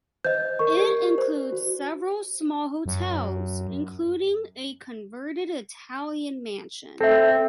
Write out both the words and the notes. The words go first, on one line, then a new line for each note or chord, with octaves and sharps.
It includes several small hotels, including a converted Italian mansion.
C5 D#5 G6
A#4 C#6
G4 D5
C5
F#4
F#2
C4 A4 E5